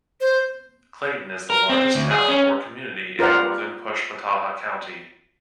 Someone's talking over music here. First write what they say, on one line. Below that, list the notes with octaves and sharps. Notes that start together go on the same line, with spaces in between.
Clayton is the largest town or community in northern Pushmataha County.
C5
A#4
C4
D2
G#4
C#4
F4 A#4 C5 D5 F#5